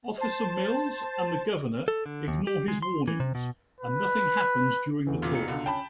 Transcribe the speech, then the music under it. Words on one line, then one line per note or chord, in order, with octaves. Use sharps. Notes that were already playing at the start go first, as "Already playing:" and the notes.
Officer Mills and the governor ignore his warnings, and nothing happens during the tour.
C5 A5
A4
D3
D#2
G4
G#3
C6
E3
C3
B2
B4
E2 D3 E3
F1 A#2 C#3
B2 A#5 C#7
C#2 D3
C#4 G5 A5 B5